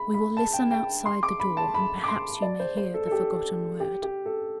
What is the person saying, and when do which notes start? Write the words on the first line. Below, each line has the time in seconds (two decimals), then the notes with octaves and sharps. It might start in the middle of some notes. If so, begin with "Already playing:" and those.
We will listen outside the door, and perhaps you may hear the forgotten word.
Already playing: B5
0.14 B5
0.37 A5
0.53 G5
0.71 G5
1.06 C6
1.23 D6
1.40 B5
1.57 A5
1.74 B5
2.04 D6
2.08 C6
2.42 D5
2.60 C5
2.77 C5
2.94 A4
3.06 A4
3.11 G4
3.80 G4
4.03 G4
4.26 A4